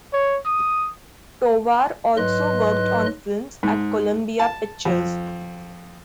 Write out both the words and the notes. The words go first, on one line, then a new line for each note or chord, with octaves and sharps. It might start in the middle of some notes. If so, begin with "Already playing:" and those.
Tovar also worked on films at Columbia Pictures.
C#5
D#6
G#2 F#3 B4 D#5 C6 F#6
G#2
A5
F2